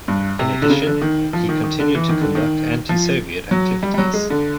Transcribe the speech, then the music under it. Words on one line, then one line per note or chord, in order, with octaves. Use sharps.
In addition, he continued to conduct anti-Soviet activities.
G2
C3
D3
C#3
D3
D#3
F3
D#3
D#3
D3
E3
D#3
D3
D#3
F3
F#3
G3
G3
F#3
G#3
D3